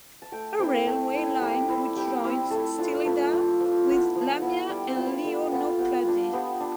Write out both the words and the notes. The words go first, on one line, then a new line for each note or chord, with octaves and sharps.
A railway line which joins Stylida with Lamia and Lianokladi.
A5
A3 G5
C4 E4 G5
A3 G5
C4 E4
G3 G5
C4 E4
G3 G5
C4 E4
A3 A4
D4 F4
A3 B4
D4 F4
F3
B3 E4
F3
B3
E4
G3 D5
C5
B3 F4
B4
G3 A4
B3 F4
B3 G4
D4 F4
B3 G4
D4